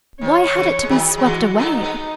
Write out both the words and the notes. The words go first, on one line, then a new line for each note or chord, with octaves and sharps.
Why had it to be swept away?
D#3 C#5
C#3 E3
G#3
D#3 F#3 G#4
F#3
E3 G#3 F#4
F#3 A3 D#4
G#3 B3